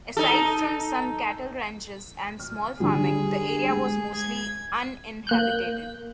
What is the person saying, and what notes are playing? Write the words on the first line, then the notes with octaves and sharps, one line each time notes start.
Aside from some cattle ranches and small farming, the area was mostly uninhabited.
D#4 A4
F6
D3 G3 G#4
G#3
G#6
A#3 F#6 G6